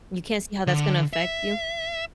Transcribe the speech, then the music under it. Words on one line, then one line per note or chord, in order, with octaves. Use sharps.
you can't see how that's gonna affect you?
D3
E5